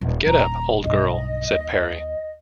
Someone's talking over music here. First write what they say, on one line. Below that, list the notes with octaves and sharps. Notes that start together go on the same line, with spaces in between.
"Get up, old girl," said Parry.
D#1
D#1 D3 A#5
B1 G2 D#5
D#2